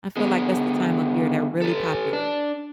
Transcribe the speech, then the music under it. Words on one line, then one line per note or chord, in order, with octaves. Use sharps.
I feel like that's the time of year they're really popular.
D3 B3 G#4
A4 B4
D4